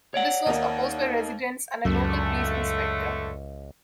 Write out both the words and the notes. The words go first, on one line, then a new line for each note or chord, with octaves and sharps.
This was opposed by residents and a local police inspector.
C#5 D5 F#5
D#2 A#3 D#4
C#2 F#2 D3 A3